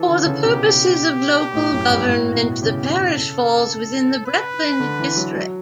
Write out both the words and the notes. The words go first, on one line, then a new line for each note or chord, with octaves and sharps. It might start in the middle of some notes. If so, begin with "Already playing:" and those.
For the purposes of local government, the parish falls within the Breckland district.
Already playing: E3 A4
D3
C#3
B2 G4
A2
F#2
G2
G2
A2 F#4
B2
C#3 G4
A4
B4
D3
E3
F#3
F#3